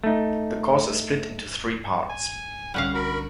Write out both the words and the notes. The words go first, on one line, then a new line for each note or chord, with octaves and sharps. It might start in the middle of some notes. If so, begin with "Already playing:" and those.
The course is split into three parts.
A3 D#4
G#5
C2 D3 G3 C#4 F5 F#5 C#6
F#4 A#4 B5